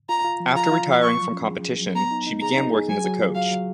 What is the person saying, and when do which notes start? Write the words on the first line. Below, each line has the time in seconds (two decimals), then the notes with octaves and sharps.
After retiring from competition, she began working as a coach.
0.09 F4 A#5
0.25 F4
0.40 F3
0.56 F4 A#5
0.71 F4
0.87 F3
1.02 F4 C#6
1.18 F#3
1.33 C#4
1.49 G#4
1.64 G#4
1.80 F#3
1.95 B3 A#5
2.11 D#4
2.26 D#4
2.42 G#4 A#5
2.58 D#4
2.74 G#4
2.89 F#3 G#5
3.05 F#3
3.19 F4
3.35 F#3 F5
3.51 F#3